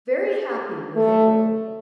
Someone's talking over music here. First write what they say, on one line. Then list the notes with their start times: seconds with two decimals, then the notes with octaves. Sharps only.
Very happy were they both.
0.96 A3